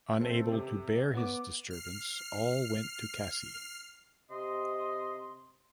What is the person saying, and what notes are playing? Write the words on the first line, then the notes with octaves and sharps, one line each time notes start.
Unable to bear his disturbance all went to Kasi.
A3 C4 A4 C5
C3
B3 D6
F6 C7
C3 D#5 C6